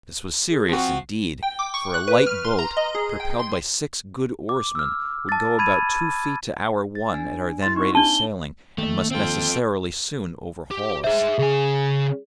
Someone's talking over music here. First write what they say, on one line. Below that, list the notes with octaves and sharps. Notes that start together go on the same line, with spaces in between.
This was serious indeed; for a light boat, propelled by six good oarsmen, would go about two feet to our one at our then rate of sailing, and must necessarily soon overhaul us.
G#4
F3 C4 F#4
G5
D6
C#6
F#6
B4
F6
C6
A#5
D#5
G#4
G5
C6
D6
E6 F6
A5 A6
B5 G#6 D#7
A6
D4 G#5
E4 C6 A6
C4 D#4 C#6
D4 A5 G7
D#2 A3
C4 F4 A4 G5
G4
G#4 C5 E5
C#3 G#4 G#5